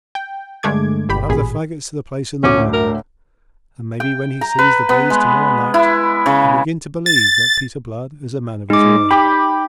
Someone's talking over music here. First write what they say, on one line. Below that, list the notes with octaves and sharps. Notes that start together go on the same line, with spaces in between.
I'll have the faggots to the place in the morning, and maybe when he sees the blaze to-morrow night he'll begin to believe that Peter Blood is a man of his word.
G5
G2 D3 G#3 A3 D6 G#6
G1 G4 B5
A1 A#2 G#4 B5
D2 A2 C#4 D6
A#4
G5
A#5
B4
B3
G#3
E4
C#3
A6
G#3 D#4 D6
G4 B5